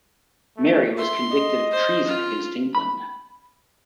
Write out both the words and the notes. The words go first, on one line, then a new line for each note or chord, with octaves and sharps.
Mary was convicted of treason against England.
A3
E5 C6
D#5
C5
F4
B5